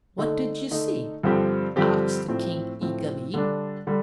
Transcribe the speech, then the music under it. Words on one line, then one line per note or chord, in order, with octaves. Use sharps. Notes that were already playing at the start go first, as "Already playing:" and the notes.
"What did you see?" asked the King eagerly.
D3 A3 D#4
D3 A3 D#4
G2 D3 F3 C4 G4
G2 D3 F3 C4 G4
A2 F3 C4
A2 F3 C4
D3 G3 D4
D3 G3